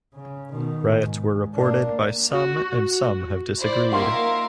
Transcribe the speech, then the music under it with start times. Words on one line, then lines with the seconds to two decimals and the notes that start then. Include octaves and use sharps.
Riots were reported by some and some have disagreed.
0.14 C#3
0.51 B2 D#3
0.88 G#2
1.54 A#3 D4
2.31 F#4
2.89 F#4
3.59 E4 C5 D5
3.92 A#3 D#4 F4 A#4 E5 F5